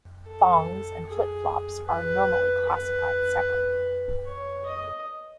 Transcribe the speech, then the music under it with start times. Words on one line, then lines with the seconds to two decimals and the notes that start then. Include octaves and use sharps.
Thongs and flip flops are normally classified separately.
0.27 A4
1.07 G#4
1.87 B4
2.66 B4
4.26 C#5
4.66 D#5